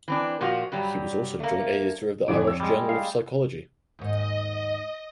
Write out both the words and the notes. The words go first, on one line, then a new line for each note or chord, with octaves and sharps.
He was also joint editor of the "Irish Journal of Psychology".
E3 C4 D4
A#2 F3 F4 F#4
G2 F#3 G3
A3 A#3
F2 A2 D3 E3 D5
C#5 E6
G3 G#3
F5
D#2 G#2 D#5